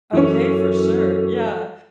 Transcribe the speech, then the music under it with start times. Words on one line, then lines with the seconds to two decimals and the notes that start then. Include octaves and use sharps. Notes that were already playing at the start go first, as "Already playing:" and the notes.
Okay, for sure, yeah.
0.13 F#2 E3 C#4 A4